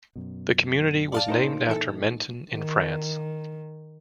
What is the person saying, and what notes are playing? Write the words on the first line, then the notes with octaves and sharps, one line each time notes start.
The community was named after Menton in France.
F#2 B2
D5 F5 A5
A#2 D#4 A#4 C5
E3 A4
D#3